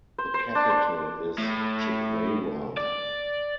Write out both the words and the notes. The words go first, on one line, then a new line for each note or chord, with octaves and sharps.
The capital is Chikwawa.
C5
C5
D4
C5
A2
D5